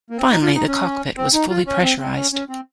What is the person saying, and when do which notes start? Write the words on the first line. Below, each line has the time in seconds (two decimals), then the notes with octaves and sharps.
Finally, the cockpit was fully pressurized.
0.10 A#3
0.17 C4
0.30 D#4
0.43 F4
0.55 D#4
0.67 C#4
1.17 C4
1.33 D#4
1.50 F4
1.67 C#4
1.83 C4
2.00 C4
2.16 C#4
2.32 C#4
2.49 C4